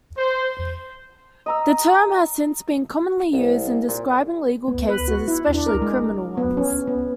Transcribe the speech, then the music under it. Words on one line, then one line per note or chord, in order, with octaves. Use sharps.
The term has since been commonly used in describing legal cases, especially criminal ones.
C5
D#5 A#5 E6
C2
A#2
B3
B4
F#4
E4
D4
A#4
G#3
B3
C#4
B3